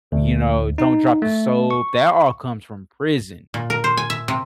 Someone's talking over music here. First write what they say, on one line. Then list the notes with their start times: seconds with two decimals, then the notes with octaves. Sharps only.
you know, "don't drop the soap", that all comes from prison.
0.12 D2
0.78 D#4
1.22 A3
1.71 C#6
3.54 A#2
3.70 A#4
3.84 C5
3.97 G#5
4.10 E5
4.28 C3